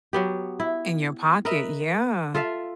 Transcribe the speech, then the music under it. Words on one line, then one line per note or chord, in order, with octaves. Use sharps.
In your pocket yeah,
F#3 B3 G4
E4
A#4 B4 D#5 E5
F4 A4 E5 F5